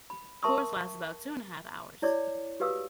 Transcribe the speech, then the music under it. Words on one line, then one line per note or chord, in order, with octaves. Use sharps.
Tours last about two and a half hours.
B5
A#4 E5 A5 C6 C#6 D#6
E4 C#5 D5 D6
F#4 G4 B4 F5 D#6 E6